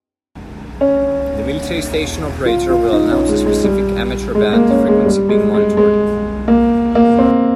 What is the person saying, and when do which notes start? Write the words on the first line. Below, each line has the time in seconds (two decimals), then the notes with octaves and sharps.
The military station operator will announce the specific amateur-band frequency being monitored.
0.81 C#4
2.46 F4
2.70 F4
2.93 D#4
3.11 C#4
3.28 G#3
3.46 G#3
3.64 G3
4.35 G#3
4.53 A#3
4.70 C#4
4.88 G#3
5.06 G3
5.29 G#3
5.54 G#3
5.77 G#3
6.48 A#3
6.95 A#3
7.18 C4